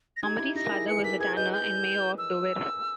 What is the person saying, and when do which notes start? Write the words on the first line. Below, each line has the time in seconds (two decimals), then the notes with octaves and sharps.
Mummery's father was a tanner and mayor of Dover.
0.17 A#6
0.23 D#4 G4 G#6
0.39 E4
0.55 D#4 G4 A#6
0.64 A#4
0.71 E4 G#4
0.88 G#4 B4 C#7
1.04 G4 A#4 B6
1.20 G#4 B4 G#6
1.36 B4 D#5 G6
1.53 G6
2.18 E6